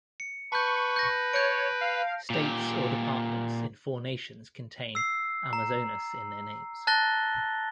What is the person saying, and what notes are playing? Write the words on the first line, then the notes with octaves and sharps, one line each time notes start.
States or departments in four nations contain "Amazonas" in their names.
C#7
B4 A5 C#6 G6
G6 A#6
C#5 G6 D7
F5
A#2 G4
E6 C7
A#5
A5 F#6 A6 A#6 G7